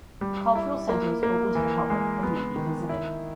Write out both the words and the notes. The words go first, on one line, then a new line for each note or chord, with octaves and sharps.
The cultural center is open to the public and may be visited.
G3
E4
A#3
A#3
E3
G#3
B3
D#3
E4